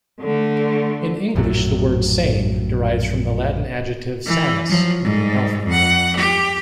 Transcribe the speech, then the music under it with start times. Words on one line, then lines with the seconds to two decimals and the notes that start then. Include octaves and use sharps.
In English, the word "sane" derives from the Latin adjective "sanus" meaning "healthy".
0.21 D3 A3
1.35 A#1 F#2 A2 F#3
4.26 E3
4.69 F3 F#3
5.02 G#2 G3
5.66 F2 F#5
6.16 G4